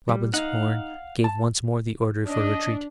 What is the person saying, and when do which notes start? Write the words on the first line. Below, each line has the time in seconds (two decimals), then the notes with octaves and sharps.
Robin's horn gave once more the order for retreat.
0.09 G3
0.34 D#4 F5 F#5
1.24 A5
2.28 D4 D#5